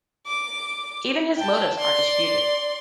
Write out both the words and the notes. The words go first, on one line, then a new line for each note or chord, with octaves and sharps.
Even his motives are disputed.
D6
G5 A5
D5 C6